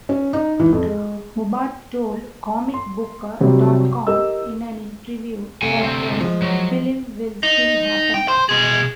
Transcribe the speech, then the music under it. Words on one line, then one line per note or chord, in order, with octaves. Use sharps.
O'Barr told comicbook dot com in an interview that the film will still happen.
C#4
D#4
E3
F2
G#3
C6
C3 F#3 G3
G4 A#4 D#5 E6
C3 A3 F#5 G#5
D2 C4
F3 G#3
F#3
D#4
G5
C5
B2 G#4